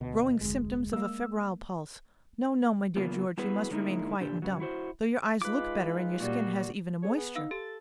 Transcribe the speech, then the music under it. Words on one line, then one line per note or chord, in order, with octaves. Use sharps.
"Growing symptoms of a febrile pulse--no, no, my dear George, you must remain quiet and dumb; though your eyes look better, and your skin has even a moisture."
D2 B2
F1 D2 G#3
G#3 A#3 E6
C#3 F#3 A#3 B3 F4
G3 B3 E4 F#4 G#4 B4
D3 G#3 A#3 B3 D#4 E4
A#2 D3 D4 G4
G2 C#3 F#3
E4 F#4 C5
G#3 D#4 F4 B4 D6
A#2 G3 F#4
G#4 C#5
B3
D#4 F5 E6
G4 A4 A6